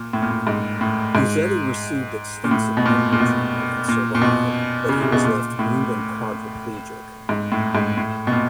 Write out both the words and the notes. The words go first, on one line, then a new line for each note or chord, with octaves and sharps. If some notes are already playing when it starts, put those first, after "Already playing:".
Guzzetti received extensive medical treatment and survived, but he was left mute and quadriplegic.
Already playing: A#2
A2
A#2
A2
G#2
A2
G#2
A#2
A2
B2
A#2
A#2
B2
A#2
A#2
B2
C#3
C3
B2
A#2
A2
G#2
A2
G#2
A2
B2
A#2